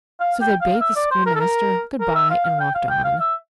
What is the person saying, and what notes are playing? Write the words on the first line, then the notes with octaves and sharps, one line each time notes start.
So they bade the schoolmaster good-by and walked on.
F5
G5
F5
E5
D5
C5
A#4
A4
A#4
A#4
E5
F5
F5
G5
F5
G5
F5
E5